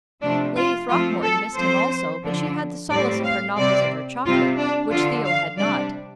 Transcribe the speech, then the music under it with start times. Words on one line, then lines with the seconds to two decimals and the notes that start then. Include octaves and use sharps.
Lady Throckmorton missed him also, but she had the solace of her novels and her chocolate, which Theo had not.
0.22 C3 F3 A3 D4
0.56 F4
0.89 F3 A3 C4 F4
1.23 A4
1.57 F3 C4 C5
2.23 D3 F3 D4
2.90 A2 G3 C4 D5
3.24 F5
3.57 C3 G3 C4 D5
4.24 C3 G3 C4 F4
4.58 D4
4.91 D3 F3 D4 F4
5.25 F5
5.59 C3 G3 D4 D5